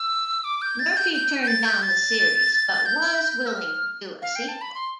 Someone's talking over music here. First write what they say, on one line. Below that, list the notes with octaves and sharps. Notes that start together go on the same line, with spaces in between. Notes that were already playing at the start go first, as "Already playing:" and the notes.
Murphy turned down the series but was willing to do a sequel.
Already playing: E6
D6
G6
A6
G6
G6
G6
A6
G6
A6
G6
E6
F6
F5
G5
A5
B5
C6